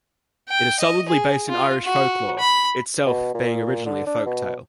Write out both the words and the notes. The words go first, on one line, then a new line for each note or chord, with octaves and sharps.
It is solidly based in Irish folklore, itself being originally a folktale.
G5
D#5
G#4
F4
F#4
B5
B2
A#2
D3
D4
B2